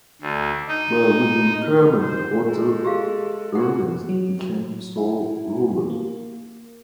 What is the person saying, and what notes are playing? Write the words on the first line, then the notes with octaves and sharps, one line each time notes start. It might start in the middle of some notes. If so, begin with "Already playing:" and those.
But with the retirement of Otto, Ernest became sole ruler.
D2
D#4
C5
G#3 A4
G4 G#4 F5
F#4 F#5
F#3
E4
A#3